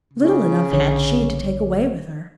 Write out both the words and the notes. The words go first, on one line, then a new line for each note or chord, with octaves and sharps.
Little enough had she to take away with her.
C#3
A#1 D3 C#5